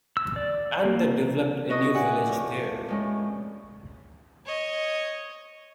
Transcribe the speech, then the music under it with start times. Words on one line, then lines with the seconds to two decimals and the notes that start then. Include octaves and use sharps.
And they developed a new village there.
0.17 E6
0.36 D5
0.85 A#3
1.69 E4 F#4 B4 D#5 C#6 D#6
1.94 G4 G#4 D5 E5 F#5 G#5
2.27 F2 A2
2.88 A2 G#3 C#4
4.46 C#5 D#5